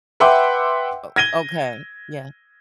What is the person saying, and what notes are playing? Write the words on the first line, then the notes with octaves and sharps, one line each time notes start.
Oh, okay, yeah.
B4 E5 F#5 G5 C6 D6
G#6 A#6 D#7 G7